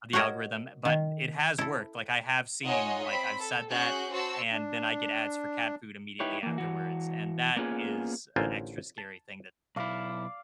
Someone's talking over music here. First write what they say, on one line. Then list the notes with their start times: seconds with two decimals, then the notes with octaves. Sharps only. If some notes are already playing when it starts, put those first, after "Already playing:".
of the algorithm, but it has worked, like, I have seen like, I've said that, and then I get ads for cat food immediately afterwards, and that is an extra scary thing that
0.13 F#4 G4 A#4 C#5 D#5
0.85 D#3
1.58 E4 A4
2.66 D#4 F4 C#5 D#5 F#5 G#5
3.06 C4 B5 B6
3.37 A4
3.70 C#4 F#4 G#4 F#6 G6
4.11 F#4 C5 A5 E6
4.52 D4
6.20 D#4 E4 G4 B4 C#5
6.43 E3 A#3
6.58 E3 F#4
7.56 A#3 B3 C#4 F4 G#4
8.36 A1 D3 F4 A#4 C5 G#5
8.98 A5
9.76 B1 E4 D5 F5 D6